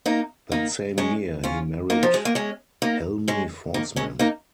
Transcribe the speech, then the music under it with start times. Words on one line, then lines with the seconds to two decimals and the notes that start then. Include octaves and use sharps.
That same year he married Helmi Forsman.
0.06 A#3 D#4
0.52 A#3 D#4
0.98 G#3 C#4
1.44 C#4 F4
1.90 A#3 D#4
2.03 F3
2.14 G#3
2.25 A#3
2.35 G#3 C#4
2.82 A#3 D#4
3.28 G#3 C#4
3.74 A#3 D#4
3.96 G#3 C#4
4.19 A#3 D#4